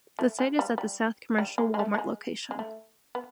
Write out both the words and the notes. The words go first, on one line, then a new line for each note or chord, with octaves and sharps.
The site is at the South Commercial Wal-Mart location.
A3
G#3
G3
G3
G3
G#3
G#3
A3
A3
G#3
G#3
A3
B3